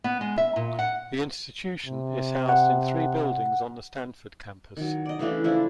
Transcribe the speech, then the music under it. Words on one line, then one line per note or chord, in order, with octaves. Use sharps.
The institution is housed in three buildings on the Stanford campus.
B3
G#3
E5
A#2
F#5
C3
F#5
D#3 F#3
D5 D#5
C#3 E3 A3 D4
F3 D4 E4